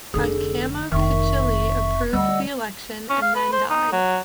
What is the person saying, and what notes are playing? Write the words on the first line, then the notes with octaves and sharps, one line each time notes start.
Acamapichtili approved the election, and then died.
F1 D3 G#4 A4
F1 F2 D#3 D#4 E5 C#6
D2 G3 D#5 F#5 E6
C#4
F5
B4
C5
D#4
F#3